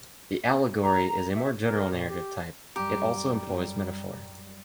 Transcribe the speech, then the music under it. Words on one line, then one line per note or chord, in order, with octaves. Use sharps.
The allegory is a more general narrative type; it also employs metaphor.
A#5
E5
A#4
A#2
G4
F#2 G3 G4 A#5